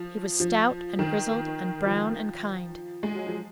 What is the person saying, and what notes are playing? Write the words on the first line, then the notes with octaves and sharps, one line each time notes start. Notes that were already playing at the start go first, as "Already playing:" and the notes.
He was stout and grizzled and brown and kind.
Already playing: F3
F3
D#3
F3
G#3
F#3
F3